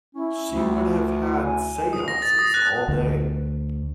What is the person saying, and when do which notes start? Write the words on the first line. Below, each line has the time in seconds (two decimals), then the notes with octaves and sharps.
She would have had seances all day.
0.15 C#4 E4
0.52 D2
1.21 E4
1.45 G#5
1.93 D#6
2.08 A#6
2.22 A6
2.39 D#6
2.54 F#6
2.88 D2